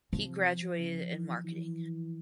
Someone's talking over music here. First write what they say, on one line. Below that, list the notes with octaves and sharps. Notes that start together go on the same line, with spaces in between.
He graduated in marketing.
C3 F3
C#3
E3
E3